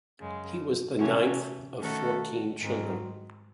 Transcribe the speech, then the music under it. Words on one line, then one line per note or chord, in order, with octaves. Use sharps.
He was the ninth of fourteen children.
F#2 C#3 G#3
C3 E3 A3 C#4
D#3 A3 C#4 F#4 A4
G#2 D#3 G#3 C4